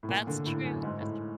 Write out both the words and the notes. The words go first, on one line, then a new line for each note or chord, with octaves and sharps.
That's true. That's true.
A2
A#2
D3
A2
F#2
G#2
A2